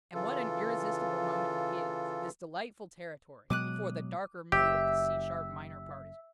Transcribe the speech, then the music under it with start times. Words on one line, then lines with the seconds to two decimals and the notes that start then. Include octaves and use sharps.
And what an irresistible moment it is, this delightful territory, before the darker mood of the C sharp minor part is reached!
0.14 C#3 E3 F4 A4
3.50 B2 F#3 G#3 D6 D#6 F#6
4.52 F#1 G4 E5